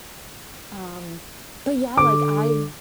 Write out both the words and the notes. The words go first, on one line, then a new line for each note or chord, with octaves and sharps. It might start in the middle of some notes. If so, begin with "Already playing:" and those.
um, but yeah, like I've
D3 D6